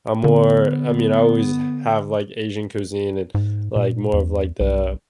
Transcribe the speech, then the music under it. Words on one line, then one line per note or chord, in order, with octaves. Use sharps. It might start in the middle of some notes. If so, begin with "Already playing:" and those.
I'm more I mean, I always have, like, Asian cuisine and, like, more of, like, the
D3 B3
G#2
A#2
E2
B1